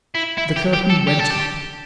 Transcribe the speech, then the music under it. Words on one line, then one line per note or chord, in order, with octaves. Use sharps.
The curtain went up.
E4
E4
G4
G4
A4
G4
A4
G4